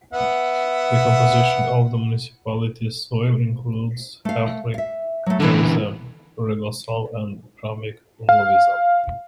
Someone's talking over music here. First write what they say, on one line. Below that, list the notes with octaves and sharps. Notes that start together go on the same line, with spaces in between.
The composition of the municipality's soil includes Haplic Feozem, Regosol and Chromic Luvisol.
B3 E5 F#5
A3 F5
E5 F5
F#3 A3
D3 E3 B3 E4 A4
F5